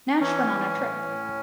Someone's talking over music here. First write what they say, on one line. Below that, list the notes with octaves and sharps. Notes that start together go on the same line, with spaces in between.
Nash went on the trip.
E3 C#4
E3
A2
A2